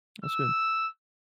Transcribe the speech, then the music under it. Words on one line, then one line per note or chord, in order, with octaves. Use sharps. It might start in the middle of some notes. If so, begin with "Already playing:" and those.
That's good.
E6